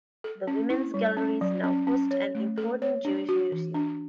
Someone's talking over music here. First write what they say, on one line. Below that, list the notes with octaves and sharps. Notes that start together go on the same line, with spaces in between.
The women's galleries now host an important Jewish museum.
A4
C#4
E4
G3
C#4
F#3
C#4
C#4
C#5
A3
A4
C#5
D4
F#4
E3
D4